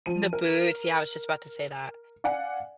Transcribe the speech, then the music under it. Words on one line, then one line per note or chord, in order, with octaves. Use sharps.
The boots, yeah, I was just about to say that.
F3 C5 D#7
A#4
D5 F5 F#5 G#5